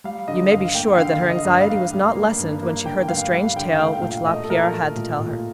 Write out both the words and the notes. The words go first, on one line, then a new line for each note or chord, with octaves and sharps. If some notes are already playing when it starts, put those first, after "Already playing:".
You may be sure that her anxiety was not lessened when she heard the strange tale which Lapierre had to tell her.
G3 F5
D3 D#5
G2 F5
A#3 G5
D3 F5
D3
D#5
G2
F5
G2
G3
A#3
G2
A#3
D3 G5
G2 F5
G3 F5
D3 G5
F5
A3 G5
A#2 F5
A3 D#5
A4
A#2 A#4
A3
A#2
A#2